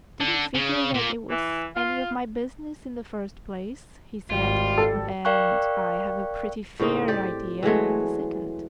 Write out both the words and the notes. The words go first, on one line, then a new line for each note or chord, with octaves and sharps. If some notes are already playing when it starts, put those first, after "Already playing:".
"Didn't figure that it was any of my business in the first place," he said, "and I have a pretty fair idea, in the second."
D3
C#3
A#2
E3
F4
G#1 G3 F4
A4
A#4 D5 F5 G5 C#6 F#6
A2 C#3 C4 D#4
G4 D5
E3 F#3 G#3 A3